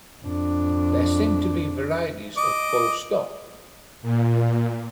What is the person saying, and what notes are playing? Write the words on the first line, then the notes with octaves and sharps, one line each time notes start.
There seem to be varieties of full stop.
F2 D4
D#5 D6
A#2